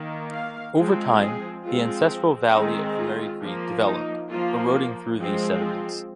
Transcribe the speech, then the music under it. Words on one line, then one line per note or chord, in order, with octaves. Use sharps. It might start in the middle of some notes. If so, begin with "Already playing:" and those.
Over time the ancestral valley of the Merri Creek developed, eroding through these sediments.
Already playing: D#3 A#3
F5
F3 G#3 C4
G#4
F3 G#3 C4 F4
D#3 G#3 C4 D#4
F4
F3 A#3
D#4
F3 A#3 F4
F3 G#3 C4
F4